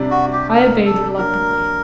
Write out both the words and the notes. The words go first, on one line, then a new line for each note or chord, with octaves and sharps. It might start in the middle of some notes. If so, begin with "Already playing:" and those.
I obeyed reluctantly.
Already playing: C3 G3 D4
F#4
G4
A#4
A4
F#3 A#3 D4 A#4